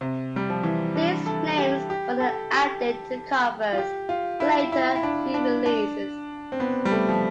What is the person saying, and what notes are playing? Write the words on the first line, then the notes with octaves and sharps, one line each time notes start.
These names were then added to the covers for later re-releases.
C3
G3
F3
E3
D4
A4
G4
G4
A4
G4
F4
G4
F4
E4
E4
E4
D4
D4
D4
C4
B3
G3
A3
F3